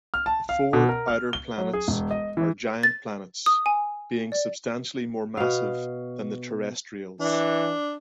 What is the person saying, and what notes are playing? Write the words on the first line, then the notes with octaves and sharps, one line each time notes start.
The four outer planets are giant planets, being substantially more massive than the terrestrials.
F6
A5
F5
B2
A#4
F6
G7
F#3
G#4
E1
D#5
E3
A6
D#6
G#5
D5
B2 F5
E3 D4